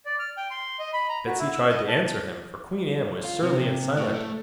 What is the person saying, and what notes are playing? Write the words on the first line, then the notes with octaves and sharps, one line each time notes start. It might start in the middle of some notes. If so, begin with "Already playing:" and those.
Betsy tried to answer him, for Queen Ann was surly and silent.
D5
F6
G5
C6
D#5
B5
A#5
F#4
E4
E6
D#5
A5
F4
C3
A2
A3